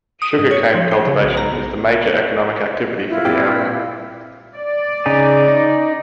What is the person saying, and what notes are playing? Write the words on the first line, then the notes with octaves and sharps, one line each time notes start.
Sugar cane cultivation is the major economic activity for the area.
D#6
G#2
C#5
F3
C5
C#3
B1
A#5
B1
E4 F4 E5
A#2 C4 G4
D5
C#3 D#4 G#5
D#4